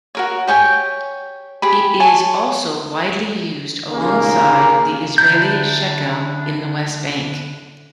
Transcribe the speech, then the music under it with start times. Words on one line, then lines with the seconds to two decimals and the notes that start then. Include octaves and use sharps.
It is also widely used alongside the Israeli shekel in the West Bank.
0.15 F#4 A#4 C#5
0.47 G4 C#5 G5 G#5
1.62 G4 G#4 B5
2.00 C#5 G#5 A5 C#6
3.91 D#2 A#2 C#3 A#3
5.18 D3 D4 E4 A#5 G6